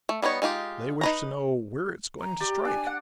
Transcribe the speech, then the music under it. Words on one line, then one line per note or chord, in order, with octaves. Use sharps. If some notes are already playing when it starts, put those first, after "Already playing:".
They wish to know where it is going to strike.
A3
G3 B3 D#4 C#5
G#3 D#4 F4 G4
D#4 B4 A#5
A#5
G4 D5
D4 G#5
F#5